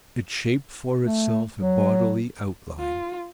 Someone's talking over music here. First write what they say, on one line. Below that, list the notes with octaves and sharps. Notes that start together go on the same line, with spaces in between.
It shaped for itself a bodily outline.
A3
F#3
F4